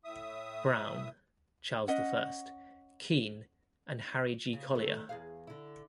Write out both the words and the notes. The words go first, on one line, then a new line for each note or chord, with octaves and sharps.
Brown, Charles the First. Keene, and Harry G. Collier.
A2 E5 D#6
C#4 D#5 F#5
C#3
D#3 A3
E2 G#4 F5
D3 E4